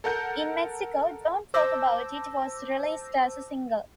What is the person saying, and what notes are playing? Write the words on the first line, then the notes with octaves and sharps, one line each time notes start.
In Mexico, "Don't Talk About It" was released as a single.
A4 A#4 F#5 G6
C5 A5 D6 E6 G6 A#6